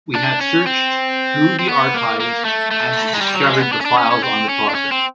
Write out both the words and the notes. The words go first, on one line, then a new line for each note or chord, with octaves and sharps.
We had searched through the archives and discovered the files on the process.
D4
C#4
C4
C4
B3
A#3
A#3
A3
A3
G#3
G3
F#3
G#3
B3
D4
C#4
D4
C#4
C#4
C4
C#4
D4
C#4
C4